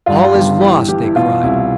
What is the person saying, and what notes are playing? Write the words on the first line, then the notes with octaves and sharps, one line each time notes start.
"All is lost!" they cried.
G2 F4
F4
G1 G4
E3 G4
E3 G4
E4
B2 F4
C2 E4